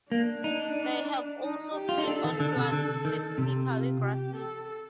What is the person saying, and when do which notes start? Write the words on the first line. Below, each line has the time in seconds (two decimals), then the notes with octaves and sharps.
They have also feed on plants, specifically grasses.
0.12 A#3 D4
0.44 D#4
1.42 D#4
1.75 G4
1.89 F4
1.98 D#4
2.08 D4 A4
2.24 D#3
2.40 D3
2.56 C3
2.72 D3
3.05 D#3
3.38 C3
3.71 F4
4.03 G4
4.36 A4